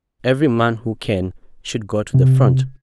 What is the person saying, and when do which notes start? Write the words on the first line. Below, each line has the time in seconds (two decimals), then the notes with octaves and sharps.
"Every man who can, should go to the Front."
2.14 C3